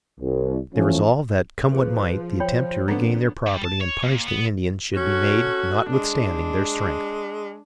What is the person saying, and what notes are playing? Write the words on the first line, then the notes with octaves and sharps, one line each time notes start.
They resolved that come what might the attempt to regain their property and punish the Indians should be made notwithstanding their strength.
C2
E3 F3 A3 C#4
F3 G#4 A4 B4
C5 C#5 G5 B5
D3 B3 C4 A#5
G3
A5
C#5
A#2
B3
C#4 F#4 A4
G#3 D4